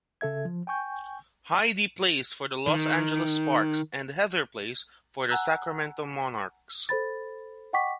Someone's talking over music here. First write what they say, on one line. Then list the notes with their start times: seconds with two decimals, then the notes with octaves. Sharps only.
Heidi plays for the Los Angeles Sparks and Heather plays for the Sacramento Monarchs.
0.21 C#3 A4 E5 G#6
0.45 F3
0.67 G5 G#5 C#6 G6
2.67 D#3
5.29 F#5 G#5 A#5 E6 F#6
6.89 A4 C5 B5 A6
7.73 D#5 F#5 G5 C#6 D6 B6